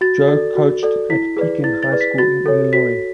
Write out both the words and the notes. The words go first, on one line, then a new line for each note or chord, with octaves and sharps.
Joe coached at Pekin High School in Illinois.
F#4 A6
A4 D5
F#4
A4 D5
E4 B6
G#4 B4 D5
E4 A6
A6
G#4 B4 D5
B6
F#4 A6
A4 C#5
F#4 B6